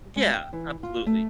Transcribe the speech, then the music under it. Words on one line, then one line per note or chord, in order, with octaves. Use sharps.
Yeah, absolutely.
G#3
G5
E3
F4
A3